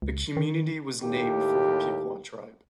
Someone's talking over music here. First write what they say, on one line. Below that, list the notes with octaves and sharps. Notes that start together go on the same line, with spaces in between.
The community was named for the Piqua tribe.
C#2
D#3
D#2 A2 G4